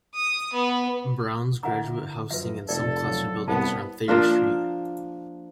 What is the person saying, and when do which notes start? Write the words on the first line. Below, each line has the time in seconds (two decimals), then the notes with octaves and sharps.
Brown's graduate housing and some classroom buildings are on Thayer Street.
0.15 D#6
0.53 B3
1.63 D3 E3 A#4 E5 F#5 A#5
2.31 F#2 F3 B4 E5
2.69 F1 G4 A4 D5 E5 A5
3.04 C#3 F#3
3.48 C2 C3 B3 E5 F#5 A5
4.08 F3 A#3 D4 F4